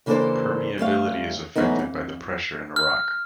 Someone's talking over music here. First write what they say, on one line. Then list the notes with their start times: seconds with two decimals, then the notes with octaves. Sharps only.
Permeability is affected by the pressure in a rock.
0.06 C#3 E3 A#3 D4 A4 C5
0.78 D2 G3 A3 F5
1.56 G#2 E3 F#3 A3 B3 D#4
1.79 F2
2.76 F6